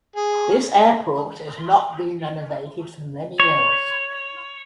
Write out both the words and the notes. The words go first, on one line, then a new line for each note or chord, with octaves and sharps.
This airport has not been renovated for many years.
G#4
C#5